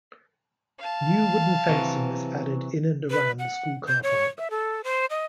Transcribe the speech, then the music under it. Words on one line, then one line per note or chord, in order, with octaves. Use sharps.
New wooden fencing was added in and around the school car park.
F5 A5
C3 E3 F#3
B4
F#5
G6
C#5
E5
A4
C5
D#5